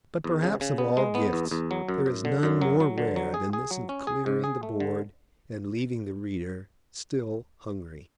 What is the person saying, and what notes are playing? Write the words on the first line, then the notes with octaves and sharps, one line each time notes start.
But perhaps of all gifts there is none more rare than this of clearing the board and leaving the reader still hungry.
E2
C#3
C#3
B3
G#3
B3
E2
E2
F#3
F#2
F#2
D3
F#2
F#3
F#3
D3
F#3
G#4
G#4
F#3
C#4
G#4
G#2
G#4
A3
D3